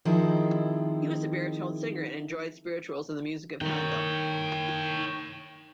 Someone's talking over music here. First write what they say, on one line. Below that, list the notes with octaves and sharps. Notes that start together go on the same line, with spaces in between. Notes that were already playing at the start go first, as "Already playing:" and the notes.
He was a baritone singer and enjoyed spirituals and the music of Handel.
D#3 F3 G#3 C4 E4
D#3 C#5 G5